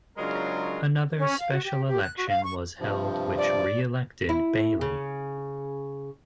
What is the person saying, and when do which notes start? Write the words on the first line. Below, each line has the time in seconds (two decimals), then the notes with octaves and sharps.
Another special election was held which re-elected Bailey.
0.18 C#3 F#3 G#3 D4 F4 A#4
1.18 C#4
1.39 F5
1.52 F#4
1.65 G4
1.87 G4
2.02 F#6
2.17 F#4
2.29 F5
2.43 C#6
2.79 G2 C3 F3
3.38 D5
4.29 E4
4.81 C#3